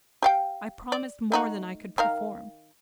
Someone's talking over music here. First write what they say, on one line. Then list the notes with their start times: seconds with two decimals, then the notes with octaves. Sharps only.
I promised more than I could perform.
0.22 G4 F5 G5
0.92 D5
1.32 A3 D#4 F#4
1.98 D#3 A#4 F5